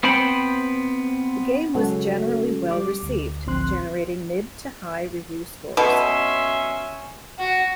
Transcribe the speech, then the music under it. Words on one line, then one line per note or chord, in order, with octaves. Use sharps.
The game was generally well received, generating mid to high review scores.
B3 C4 C5 G5 B5
C#3 F#3 G#3 C#4 F#4 A4
G3 D6
D2
A1 D2 F3 C4 C6 F#6
B2 C#4 E5 C6
F#4